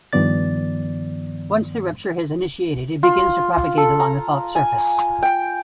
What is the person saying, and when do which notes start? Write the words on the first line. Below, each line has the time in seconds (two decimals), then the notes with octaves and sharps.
Once the rupture has initiated, it begins to propagate along the fault surface.
0.13 G2 D#3 F3 B3 D5 A6
3.03 F4
3.77 A4
4.00 A#5
4.55 G#5
5.22 G5